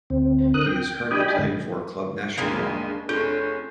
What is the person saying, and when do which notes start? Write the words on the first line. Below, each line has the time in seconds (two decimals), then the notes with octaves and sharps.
He is currently playing for Club Nacional.
0.10 D2 C4
0.54 D3 A#4 D#6 F#6
0.66 G5
1.11 D4 G4 D#5 G5 G#5 B5
1.39 G#2 D3
2.38 F#1 D#2 C#3 G#3 A#3 D4
3.09 F1 C#4 F4 G#4 A4 G6